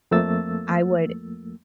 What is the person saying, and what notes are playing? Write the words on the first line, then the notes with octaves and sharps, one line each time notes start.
I would
F2 F3 A3 A#3 E6 A6